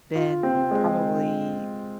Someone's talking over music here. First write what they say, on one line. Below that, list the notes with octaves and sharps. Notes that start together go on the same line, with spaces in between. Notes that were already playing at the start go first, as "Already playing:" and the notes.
been probably
F4
C4
G#3